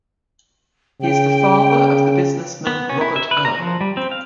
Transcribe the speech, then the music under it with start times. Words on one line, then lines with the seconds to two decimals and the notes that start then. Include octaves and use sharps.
He is the father of the businessman Robert Earl.
1.01 C#3 G5
2.67 B3
2.89 C#4
3.01 E4
3.16 E5
3.31 B4
3.45 A#5
3.58 F3
3.81 G3
3.97 C4
4.11 F5